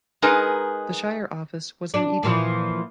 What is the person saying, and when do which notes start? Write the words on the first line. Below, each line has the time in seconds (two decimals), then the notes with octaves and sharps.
The shire office was in Eden.
0.22 G#3 D#4 G#4 A#4 B4
1.94 D4
2.23 A#2 E3 F3